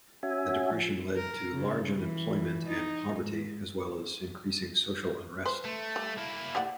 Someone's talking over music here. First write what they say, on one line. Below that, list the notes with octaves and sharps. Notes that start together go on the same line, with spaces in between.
The depression led to large unemployment and poverty, as well as increasing social unrest.
C#4 F#4 E5 G#5
F3
A#4
C#3
E3
D#4
G#2
B4 C5
A3
G3
A#3 E4
G4 D5 F#5